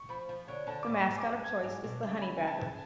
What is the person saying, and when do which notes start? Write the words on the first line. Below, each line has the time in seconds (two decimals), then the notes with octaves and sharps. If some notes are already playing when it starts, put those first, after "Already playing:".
The mascot of choice is the Honey Badger.
Already playing: C#6
0.09 F3 B5
0.29 F3
0.48 D3 C#5
0.67 D3 A5
0.83 A2 D6
0.93 C#6
1.06 G#2
1.19 D6
1.25 G#2
1.44 G#6
1.63 G#2
1.84 B2
2.03 C#3
2.22 B5
2.37 G#5
2.47 A5